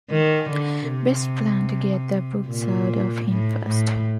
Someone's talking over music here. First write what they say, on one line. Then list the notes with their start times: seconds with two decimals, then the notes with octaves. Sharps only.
Best plan to get the books out of him first.
0.11 D#3
0.50 D3
0.90 C3
2.47 A#2
3.27 A2
3.66 A2